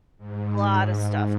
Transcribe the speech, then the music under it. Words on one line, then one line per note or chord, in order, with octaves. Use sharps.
Lotta stuff.
G#2